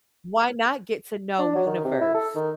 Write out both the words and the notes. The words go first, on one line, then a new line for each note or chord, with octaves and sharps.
why not get to know universe?
D4
F#3
D#3
C3
E4
A4
D#3